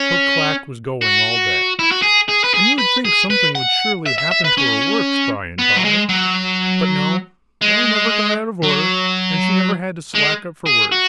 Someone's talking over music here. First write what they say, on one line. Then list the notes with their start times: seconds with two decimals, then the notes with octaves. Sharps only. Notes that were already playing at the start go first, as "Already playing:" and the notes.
Her clack was going all day, and you would think something would surely happen to her works, by and by; but no, they never got out of order; and she never had to slack up for words.
Already playing: C#4
1.01 F#4
1.79 E4
1.91 F#4
2.02 G#4
2.29 G#4
2.44 B4
2.54 G#4
2.78 B4
3.05 G#4
3.30 B4
3.55 F#5
4.06 E5
4.18 E5
4.31 E5
4.44 B4
4.57 C#4
5.58 B3
5.76 F#3
5.84 G#3
6.09 F#3
7.62 G#3
8.63 F#3
10.15 G#3
10.66 G#4
10.92 F#4